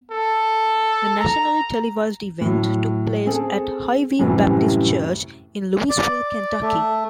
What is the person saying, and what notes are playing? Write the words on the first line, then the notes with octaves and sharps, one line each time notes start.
The nationally televised event took place at Highview Baptist Church in Louisville, Kentucky.
A4
A#5
A2 F#3
C4 G#4 A4
F#2 A2 C3 E3 G3
D5
A3